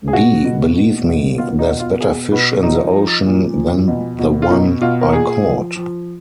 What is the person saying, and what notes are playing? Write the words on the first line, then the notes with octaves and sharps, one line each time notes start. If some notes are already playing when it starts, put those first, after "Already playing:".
B: Believe me, there's better fish in the ocean than the one I caught.
G#4
B2 F#4
B2
B2
B2
B2 F4
D#4
B2
F4
B2 G#4
B2 B4
F3 D#4
F3
A#2
F3
B2
B2
F4
B2 D#4
B2 F4
A#4
A#2 G#4
F3
F3